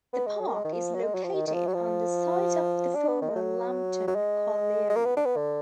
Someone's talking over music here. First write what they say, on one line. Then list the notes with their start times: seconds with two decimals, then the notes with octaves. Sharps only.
The Park is located on the site of the former Lambton Colliery.
0.13 B3
0.26 G#3
0.40 F#3
0.47 A#3
0.54 G#3
0.64 D#3
0.73 F3
0.94 F#3
1.04 G#3
1.14 F#3
1.23 F3
1.34 D#3
1.47 D#3
1.54 F3
1.67 F#3
1.74 F3
2.95 D4
3.08 B3
3.22 D#3
3.29 G#3
3.35 F#3
4.07 F#3
4.15 G#3
4.90 G#3
4.96 A#3
5.05 B3
5.16 D4
5.25 B3
5.36 D3